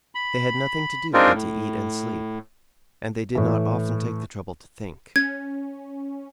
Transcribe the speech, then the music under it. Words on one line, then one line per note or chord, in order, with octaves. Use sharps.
They had nothing to do but to eat and sleep, and they did not often take the trouble to think.
B5
G#3 C4 D4 D#4 F4 A#4
A2
A2 E3
C#4 G#6